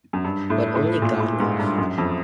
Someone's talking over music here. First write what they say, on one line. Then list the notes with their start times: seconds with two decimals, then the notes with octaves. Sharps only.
But only God knows.
0.13 F#2
0.24 G2
0.50 A2
0.75 A2
1.02 A#2
1.20 A2
1.40 G#2
1.59 G2
1.78 F#2
1.98 F2